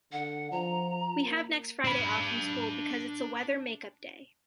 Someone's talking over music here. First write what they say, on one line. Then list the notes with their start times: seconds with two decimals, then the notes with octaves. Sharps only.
We have next friday off from school because it's a weather make-up day.
0.12 D3 F#5
0.51 F3 A#5
1.24 A#3
1.85 D4 B5